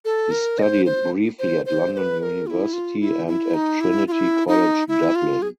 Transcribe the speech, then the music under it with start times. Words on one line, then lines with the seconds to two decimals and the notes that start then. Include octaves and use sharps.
He studied briefly at London University and at Trinity College Dublin.
0.05 A4
0.31 A#4
0.59 D#5
0.63 C5
0.85 C5
1.39 C5
1.66 C5
1.93 C5
1.97 B4
2.20 B4
2.23 A#4
2.47 F4
2.50 E4
2.73 F4
3.00 E4
3.27 E4
3.54 D#4
3.81 E4
4.08 F4
4.12 E4
4.48 D#4
4.88 E4
5.15 F4
5.42 G#4